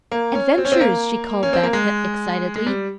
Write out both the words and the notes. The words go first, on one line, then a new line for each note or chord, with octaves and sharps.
"Adventures!" she called back excitedly.
A#3
C#4
C4
C#4
C4
A#3
C#4
C4
A#3
G#3
G#3
G3